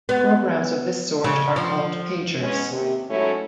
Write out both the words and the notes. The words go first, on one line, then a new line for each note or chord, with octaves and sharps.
Programs of this sort are called "pagers".
B3
C#3
F3
G#3 B3 C#4
D#2 C3
G#2 F#3 A3 C#4 E4